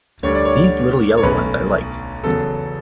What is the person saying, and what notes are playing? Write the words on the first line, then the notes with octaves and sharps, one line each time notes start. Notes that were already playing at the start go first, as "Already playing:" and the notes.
These little yellow ones I like.
D2 D3 G3 D4 C#5
D5
C#5
C#5
B1 B2 A3 C#4 B4
E2 C#3 F#3 B3 A4